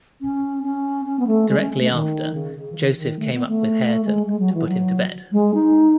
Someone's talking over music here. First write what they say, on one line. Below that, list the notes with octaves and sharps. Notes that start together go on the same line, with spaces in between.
Directly after Joseph came up with Hareton, to put him to bed.
C#4
C#4
C#4
B3
A3
G#3
C#4
A3
D#3
C#3
C#3
E3
D#3
D#3
A3
B3
A3
G#3
G#3
F#3
E3
F#3
G#3
D#4